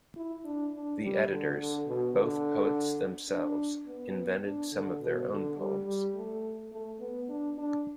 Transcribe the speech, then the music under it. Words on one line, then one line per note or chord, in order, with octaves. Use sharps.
The editors, both poets themselves, invented some of their own poems.
E4
D4
D4
G3
D3
D3
B2
D3
D4
B3
D4
D3
B2
D3
G3
G3
A3
A3
B3
D4
D4